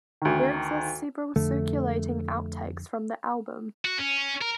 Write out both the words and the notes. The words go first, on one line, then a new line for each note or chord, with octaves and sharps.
There exist several circulating outtakes from the album.
D2 D#3
F2 D3 A3
F#4
C#4
A#4